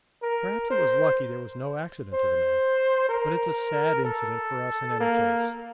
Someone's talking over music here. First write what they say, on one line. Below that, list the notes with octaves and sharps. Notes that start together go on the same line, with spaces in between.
Perhaps it was lucky there was no accident to the men, but it's a sad incident for us in any case.
A#4
C5
C5
A#4
A4
A#3